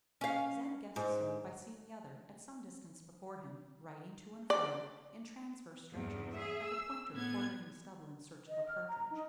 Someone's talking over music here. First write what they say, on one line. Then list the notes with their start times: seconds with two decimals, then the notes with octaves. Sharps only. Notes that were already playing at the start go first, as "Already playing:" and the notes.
Zeb guessed so, by seeing the other, at some distance before him, riding to and fro, in transverse stretches, like a pointer quartering the stubble in search of a partridge.
0.21 C#4 F5
0.96 G#2
4.50 D5
5.94 E2 G2
6.33 G#4 E5
6.66 E6
7.11 A2 B3 G#6
8.48 D#5
8.66 F6
8.87 A#5
9.11 D#4